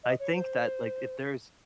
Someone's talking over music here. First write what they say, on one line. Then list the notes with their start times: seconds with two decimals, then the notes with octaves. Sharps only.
I think that, like, if there's
0.03 D#5
0.19 C#5
0.34 C5